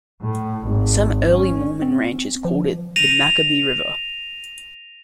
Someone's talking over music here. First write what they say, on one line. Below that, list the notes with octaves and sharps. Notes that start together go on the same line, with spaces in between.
Some early Mormon ranchers called it the Macaby River.
A2
G#1
C#4
C4
F3
A#6 D#7 F7